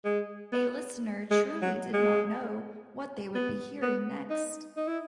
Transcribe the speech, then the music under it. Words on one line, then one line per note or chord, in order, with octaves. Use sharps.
A listener truly did not know what they would be hearing next.
G#3
B3
G#3
F#3
G#3
B3
B3
D#4
D#4
E4